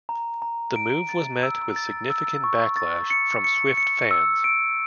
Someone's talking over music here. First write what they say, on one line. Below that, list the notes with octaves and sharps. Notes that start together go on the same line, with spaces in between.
The move was met with significant backlash from Swift fans.
A#5
A#5
D7
A6
E6
A6
E6
C#6
A6
C#7
C#7
C#7
E6
D7